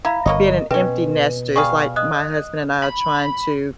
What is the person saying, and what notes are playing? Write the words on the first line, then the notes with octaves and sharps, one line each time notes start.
being an empty nester, it's like my husband and I are trying to
E4 F5 A#5 B5
G1 A#3 C#5 D#5
B2 C4 C#4 B4
G3 G#4 F5 C#6
D#5 D#6 F#6
B5